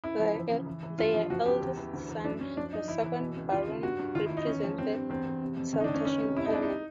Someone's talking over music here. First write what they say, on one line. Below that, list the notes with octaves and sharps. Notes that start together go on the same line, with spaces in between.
Their eldest son, the second Baron, represented Saltash in Parliament.
C#2 E4
F3
E3
C#3
E3
E3
G2 F4
F3
F3 F#4
C#2 G4
E2
E3
D2
E3
F#2 D4
F#2 C#4
F3 D4
F#2 D#4
E3 E4
E3
B2
C#2
D#2 F4
C#3
G2 F#4
G2
D#3 F4
E4
D#3
D#4
E2 C#4
F3
G2 C4
G2
E2 C4
E2
C3
F2
D#3 C#4
D#4
D4
D#3
C#4
C#2 C#4
C3
C3 E4
D#4
C2 D4
D#4